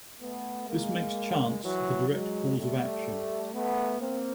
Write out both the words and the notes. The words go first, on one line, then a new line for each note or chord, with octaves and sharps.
This makes chance the direct cause of action.
A3 B3
G#3 A#3
E3 F#3
F#3 G#3
G3 A3
A3 B3
A#3 C4